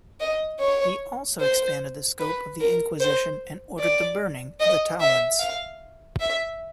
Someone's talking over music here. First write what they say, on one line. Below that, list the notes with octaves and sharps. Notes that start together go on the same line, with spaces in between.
He also expanded the scope of the Inquisition and ordered the burning of Talmuds.
D#5
C#5
C5
B4
A#4
C5
D5
D#5
E5
F5
E5